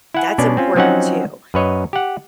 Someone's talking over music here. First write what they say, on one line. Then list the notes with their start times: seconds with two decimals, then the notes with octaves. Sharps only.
that's important too.
0.14 E4 F#5 G#5
0.38 B2 C#4 D4 D5
0.57 C4 C#4 F4
0.76 F3 F#3 C4 C#4 D#4 F#5
1.54 F#2 B4 C#5 D#5
1.93 G4 F#5